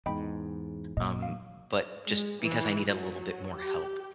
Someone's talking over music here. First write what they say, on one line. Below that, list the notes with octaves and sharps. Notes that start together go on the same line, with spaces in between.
um, but just because I needed a little bit more help.
E2 G#2 D#5 G5 B5
A#2 D#5
F5
G#3
E3
F#3
G4